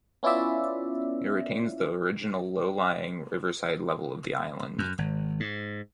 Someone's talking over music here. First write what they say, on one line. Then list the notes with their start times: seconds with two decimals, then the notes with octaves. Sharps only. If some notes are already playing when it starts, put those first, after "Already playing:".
It retains the original low-lying riverside level of the island.
0.23 B3 C#4 E4 F4 D5 E5
4.79 F#2
4.98 G#1
5.40 G#2